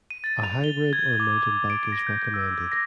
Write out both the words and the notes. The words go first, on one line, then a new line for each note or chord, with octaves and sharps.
A hybrid or mountain bike is recommended.
D#7
A6
F7
G7
G#6
D6
D7
A#6
G6
E6
A#6